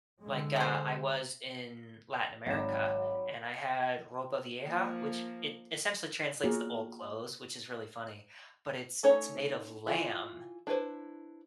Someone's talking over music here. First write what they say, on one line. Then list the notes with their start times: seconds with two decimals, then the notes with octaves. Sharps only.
Like, uh, I was in Latin America and I had Ropa Vieja, which it essentially translates to old clothes, which is really funny, but it's it's made of lamb
0.21 D3 G#3
0.56 G#4 C5
2.46 G#1 F#3 G3 E7
4.64 F3 A#3
6.44 A#3 F4 F#4 G#4 A#4
9.03 A3 C#4 D#4 C#5 A#5
9.87 E3 F3 F4 E5
10.67 D4 E4 G#4 B4 C5